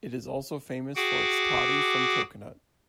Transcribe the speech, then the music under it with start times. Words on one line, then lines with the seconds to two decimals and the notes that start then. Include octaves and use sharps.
It is also famous for its toddy from Coconut.
0.96 F#4 G#4 F#5 G5 D6